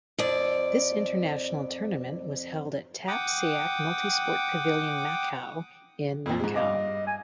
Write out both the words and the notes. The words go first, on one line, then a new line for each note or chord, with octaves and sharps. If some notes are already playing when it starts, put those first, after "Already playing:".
This international tournament was held at Tap Seac Multisport Pavilion Macau in Macau.
F2 D5
F#5 G5 D6 D#6
F2 A#2
G#2 G#3
G2 D#5 F5 D6
G#5